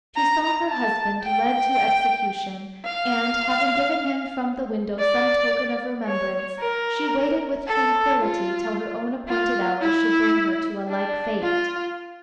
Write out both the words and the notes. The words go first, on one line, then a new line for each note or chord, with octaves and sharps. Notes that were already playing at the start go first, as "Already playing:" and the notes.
She saw her husband led to execution, and, having given him from the window some token of remembrance, she waited with tranquillity till her own appointed hour should bring her to a like fate.
A#5
A5
G5
F5
D5
C#5
A#4
A4
F4
F4
E4
D4
F4